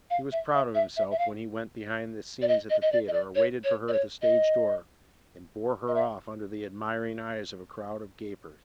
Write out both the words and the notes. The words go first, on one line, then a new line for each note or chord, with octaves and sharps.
He was proud of himself when he went behind the scenes at the theatre or waited for her at the stage door and bore her off under the admiring eyes of a crowd of gapers.
F5
E5
E5
E5
E5
E5
F5
D5
D#5
D#5
D#5
D5
D#5
D5
C#5
C#5
D5
C#5
D#5
D#5
E5